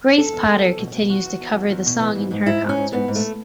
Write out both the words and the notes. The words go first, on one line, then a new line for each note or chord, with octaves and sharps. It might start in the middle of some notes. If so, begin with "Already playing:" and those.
Grace Potter continues to cover the song in her concerts.
E2 A4
E2
E2
E2
B2
B2
E2 F#4
E2
E2
E2
E2
B2
E3
G#2
G#2
G#2 E4
G#2
C#4
G#2
G#2 B3
G#2
A3